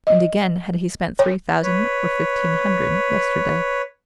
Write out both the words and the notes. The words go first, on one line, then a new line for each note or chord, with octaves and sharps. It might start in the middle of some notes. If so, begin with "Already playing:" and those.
And again had he spent three thousand or fifteen hundred yesterday?
D#5
C#5
B4 C#5